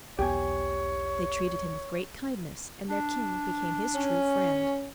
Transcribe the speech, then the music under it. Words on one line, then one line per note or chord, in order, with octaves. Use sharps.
They treated him with great kindness and their king became his true friend.
B1 E2 B3 G4 C#5 G#5
D4
C#4